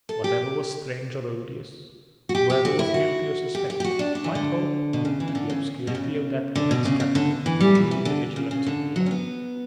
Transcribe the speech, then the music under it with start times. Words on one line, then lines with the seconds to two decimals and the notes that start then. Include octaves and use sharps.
Whatever was strange or odious, whoever was guilty or suspected, might hope, in the obscurity of that immense capital, to elude the vigilance of the law.
0.09 A4
0.24 G4
2.29 F#4
2.35 G4
2.50 G4
2.65 F#4
2.79 E4
2.94 F#4
3.55 G4
3.70 G4
3.80 G4
3.84 F#4
3.99 D4
4.15 D4
4.24 E3
4.35 D3
4.93 B2
5.05 C#3
5.20 E3
5.28 C#3
5.35 D3
5.50 C#3
5.87 B2
5.95 C#3
6.55 D3
6.71 B2
6.85 C#3
7.00 C#3
7.15 D3
7.46 E3
7.61 G3
7.75 F#3
7.91 E3
8.05 D3
8.36 C#3
8.51 C#3
8.67 D3
8.96 F#3
9.06 C#4
9.11 B3